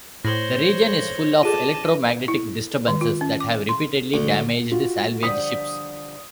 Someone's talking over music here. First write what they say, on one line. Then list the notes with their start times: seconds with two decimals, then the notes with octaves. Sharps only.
The region is full of electro-magnetic disturbances that have repeatedly damaged salvage ships.
0.25 A2 C5 C#5 A#6 F#7 G7
1.43 F4 G#4 A4 A5 D6 D#7
2.28 E4
2.88 D#3
3.01 F4
3.21 C#4
3.40 D6
3.69 C6
4.14 D2
4.72 F4 F#4
5.23 D3 F3 G3 D#6 B6